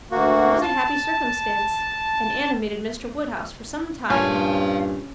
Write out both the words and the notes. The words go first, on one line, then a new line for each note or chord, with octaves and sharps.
It was a happy circumstance, and animated Mr. Woodhouse for some time.
D2 A#3 F#4
A5
G2 A#2 C#4 C#5 F5 G#5 A5